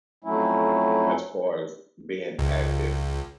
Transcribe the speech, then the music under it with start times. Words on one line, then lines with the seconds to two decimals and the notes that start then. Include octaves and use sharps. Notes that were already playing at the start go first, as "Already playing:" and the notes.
as far as being active,
0.24 F2 F#3 A3 C#4 E4
2.39 C#2